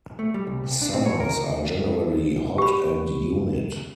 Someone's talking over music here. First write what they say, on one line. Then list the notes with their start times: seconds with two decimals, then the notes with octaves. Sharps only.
Summers are generally hot and humid.
0.19 A3
0.34 G3
0.47 C2
0.64 C2
0.82 D4
0.93 C4
1.06 C#5
1.20 A#4
2.58 G4 B5